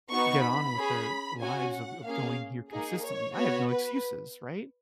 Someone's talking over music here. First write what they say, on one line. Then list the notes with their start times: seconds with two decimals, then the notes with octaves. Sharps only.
get on with their lives of of going here consistently, I have no excuses," right?
0.12 B3 D#4 F#4 C#6
0.44 B5
0.77 C#4 G#4
1.41 C#4 F#4 G#5
1.73 F#5
2.06 A#3 C#4 G#4 F5
2.71 A#3 D#4 G#4
3.03 C#5
3.35 B3 F#4 C#5
3.68 B4